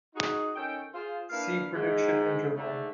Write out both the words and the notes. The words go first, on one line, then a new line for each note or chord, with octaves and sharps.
See prediction interval.
D#4 F#4 G#4
D#3 C#4 A4 G5
F4 G#4 C5
A#3 D4 E4 B4 F5
G#2
G#2 D3 A3